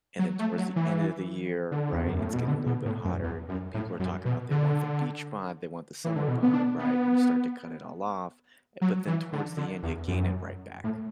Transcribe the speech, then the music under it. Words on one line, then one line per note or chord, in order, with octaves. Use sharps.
And then towards the end of the year, right, it's getting a little bit hotter, people are talking about, "They want their beach bod, they want the summer bod," right? And you start to cut it all off, e but then towards the end, you gain it right back.
F#3
A3
F#3
E3
D3
E2
F#2
A2
B2
D3
B2
A2
F#2
E2
F#2
A2
F#2
B2
D3
E3
D3
B2
B3
D4
B3
F#3
E3
D3
D3
E2
F#2
A2